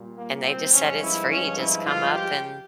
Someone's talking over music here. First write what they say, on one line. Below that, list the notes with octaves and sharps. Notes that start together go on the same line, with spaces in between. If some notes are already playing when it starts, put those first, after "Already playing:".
and they just said "It's free, just come up and"
Already playing: A#2 G3
A#3
C4
G2 F3 G#3 C#4
E4
C#4
E4
F4
G4